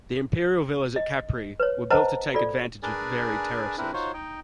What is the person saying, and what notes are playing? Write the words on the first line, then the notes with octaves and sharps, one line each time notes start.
The imperial villas at Capri were built to take advantage of varied terraces.
D#5
B4 C#5
B4 C5 D#5 F#5 A5 A#5
F4 A4 D5
D4 G#4 A#4 B4 D5 G#5
C4 D4 E4 A#4 B4
D#4 F4 F#4 C5 C#5
D#4 D#5 G5